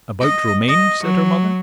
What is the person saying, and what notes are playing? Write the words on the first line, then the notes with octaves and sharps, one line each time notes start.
"About Romayne?" said her mother.
D#5
D#5
F#3